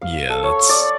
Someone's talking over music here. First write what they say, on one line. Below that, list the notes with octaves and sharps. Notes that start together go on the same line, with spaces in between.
Yeah, that's
F5
A4
C#5
D5